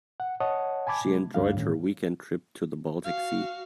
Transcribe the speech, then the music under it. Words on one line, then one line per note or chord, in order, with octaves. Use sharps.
She enjoyed her weekend trip to the Baltic sea.
F#5
C#5 D#5 F#5 A5 D#6
G#5 A5 B5 D6 G#6
C3 G#3
D2 G2 G3 D4 F5
A2 D#3 C#4
F#4 F5